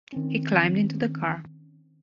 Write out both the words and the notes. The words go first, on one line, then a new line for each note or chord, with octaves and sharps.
He climbed into the car.
D#3 C4 C#4